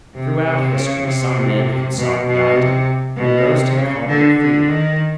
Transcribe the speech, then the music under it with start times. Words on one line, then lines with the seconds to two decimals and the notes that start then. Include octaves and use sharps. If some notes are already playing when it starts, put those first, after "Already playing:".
Throughout history, some men had sought the ideal, and most had called it freedom.
0.14 C3
0.45 C3
0.75 C#3
1.04 C3
1.96 B2
2.25 B2
2.56 C3
3.16 B2
3.47 C3
3.77 C#3
4.08 D3
4.38 D3
4.69 D#3